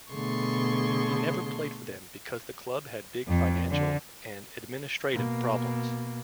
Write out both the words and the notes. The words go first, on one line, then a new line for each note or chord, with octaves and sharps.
He never played for them because the club had big financial and administrative problems.
B2 D3 A3 G#4 C6 C#6
F2
D3
B2 A#3